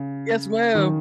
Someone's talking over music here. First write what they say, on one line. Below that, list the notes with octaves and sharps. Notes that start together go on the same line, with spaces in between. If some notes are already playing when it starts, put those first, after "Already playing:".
Yes, ma'am.
Already playing: C#3
D#3